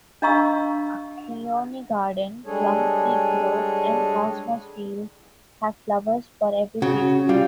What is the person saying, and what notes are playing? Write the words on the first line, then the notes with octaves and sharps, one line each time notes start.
A peony garden, plum tree grove and cosmos fields have flowers for every season.
D4 D#5 F5 A#5 C#6 E6
G3 G#3 D4 G#4 A4 C#5
C#3 F#4
G3 F4